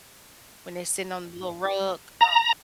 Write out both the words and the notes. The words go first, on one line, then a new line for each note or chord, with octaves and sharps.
when they sitting on the little rug, um
A#5